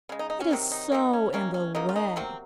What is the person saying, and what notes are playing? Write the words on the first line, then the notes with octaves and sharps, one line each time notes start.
It is so in the way!
C#3 G#3
D#4
D#4
C#4
C3 D#3 F#3
D#4
D#3 F#3 A#3 D#4
C#4
C3 D#3 A#3 C#4
C#4
C#3 F#3 A#3 D#4
F4
D#4
C3 F#3 A#3 C4